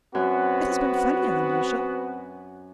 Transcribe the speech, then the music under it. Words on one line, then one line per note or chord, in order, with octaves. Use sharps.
It has been funnier than usual.
F#2 B3 C4 F#4